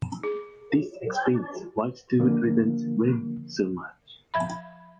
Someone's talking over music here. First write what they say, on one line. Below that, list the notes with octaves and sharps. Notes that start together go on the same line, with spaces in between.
This explains why Stewart resents Remy so much.
G#4
D3 F3 A#3
F3 E5 B5